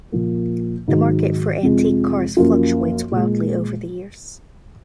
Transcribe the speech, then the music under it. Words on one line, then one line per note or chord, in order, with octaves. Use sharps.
The market for antique cars fluctuates wildly over the years.
A#2 F3 A#3
G#2 D#3 F#3 D#4
F2 C3 F3 G#3
F#2 F3 A#3 F4
A#2 G#3